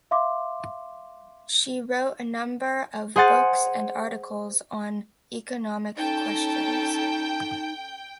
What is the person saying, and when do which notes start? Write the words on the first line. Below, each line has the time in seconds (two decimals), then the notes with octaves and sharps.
She wrote a number of books and articles on economic questions.
0.11 E5 F5 C6 D6
3.16 G#4 C5 F#5 A6
5.97 C#4 D#4 A4 G5 A5